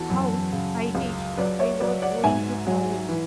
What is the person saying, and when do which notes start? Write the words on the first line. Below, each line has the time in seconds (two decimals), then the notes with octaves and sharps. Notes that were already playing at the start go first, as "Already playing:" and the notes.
How I wish I was going to college!
Already playing: E2 E3 F#4 A4
0.10 F#2
0.53 C#3
0.95 C#2
1.37 F#3 B4 D5
1.59 C#5 E5
1.80 F#3 B4 D5
2.02 D5 F#5
2.23 G#2 E5 G#5
2.67 F#3
3.09 E3